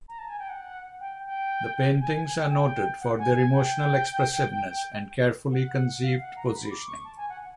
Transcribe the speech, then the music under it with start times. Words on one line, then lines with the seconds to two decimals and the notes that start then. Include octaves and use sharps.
The paintings are noted for their emotional expressiveness and carefully conceived positioning.
0.08 A#5
0.19 A5
0.29 G#5
0.39 G5
0.49 F#5
1.00 G5
1.25 G5
2.01 G#5
2.14 G#5
2.26 G#5
2.39 G5
2.50 G5
3.01 F#5
3.19 G#5
3.35 G#5
3.52 G5
5.53 F#5
6.03 F5
6.20 F#5
6.36 A#5
6.53 B5
6.71 D6
6.87 C#6
7.04 A5
7.17 G#5
7.29 F#5